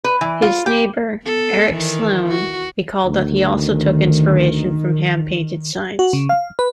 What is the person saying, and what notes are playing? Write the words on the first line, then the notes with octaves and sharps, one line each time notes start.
His neighbour, Eric Sloane, recalled that he also took inspiration from hand-painted signs.
B4
E3
F4
G4
B3 A4
D#3 E3
F#4
D2 D#3
F#4
C#3
F5
B4